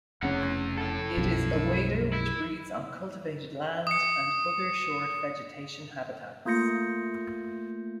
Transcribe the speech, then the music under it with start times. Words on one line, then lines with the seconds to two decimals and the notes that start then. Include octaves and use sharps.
It is a wader which breeds on cultivated land and other short vegetation habitats.
0.23 F1 C#3 C#4 E4 F#5
0.78 E4 A4
1.17 B1 F#2 F3
2.13 E4
3.87 D#6 C#7
6.45 A3 A#3 F4 G6 A#6 C#7